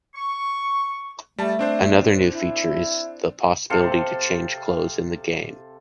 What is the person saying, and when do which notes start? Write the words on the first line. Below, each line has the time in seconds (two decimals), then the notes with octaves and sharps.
Another new feature is the possibility to change clothes in the game.
0.15 C#6
1.38 G3 A3 A5
1.59 C4 D4 C5
2.31 E4
3.70 C3 A4 F5